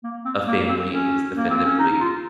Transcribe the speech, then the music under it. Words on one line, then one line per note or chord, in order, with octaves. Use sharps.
a family is definitively
A#3
C4
A#3
C4
C#4
A#3
C4
C#4
D#4
F4